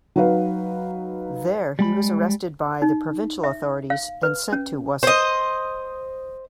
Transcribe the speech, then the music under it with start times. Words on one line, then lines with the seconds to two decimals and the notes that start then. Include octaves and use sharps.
There he was arrested by the provincial authorities and sent to Wasit.
0.16 F#3 D#4 F#4 B4 F5
1.79 G3 G#3 B5
2.82 D#4
3.44 E5
3.90 F5
4.23 B4
4.52 C#4
5.03 C5 D#5